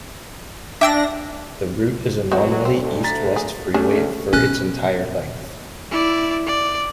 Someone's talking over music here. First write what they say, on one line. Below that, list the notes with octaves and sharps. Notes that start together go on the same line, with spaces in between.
The route is a nominally east-west freeway for its entire length.
D4 E5 G5 E6 A#6
D3 E3 F#3 G#3 C4 F#4
D2 C4
A#5 A6 B6
G#4
D2 A3 C#4 D4 G#4
B2 C#4 F#6
E4 D5
D5